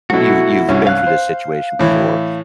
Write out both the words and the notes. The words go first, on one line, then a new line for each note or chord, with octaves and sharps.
you you've been through this situation before.
B2 F#3 A3 E4 F#4
C2 G2 C#4
F5 F#6
C5
A2 E3